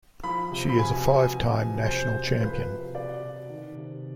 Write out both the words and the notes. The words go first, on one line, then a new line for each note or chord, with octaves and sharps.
She is a five-time national champion.
F3 B5
C3
B5
B2 G#5
B2
F3
C3
B2 C5
B2
F3 B4
C3
B2 D5
B2
D#3
C3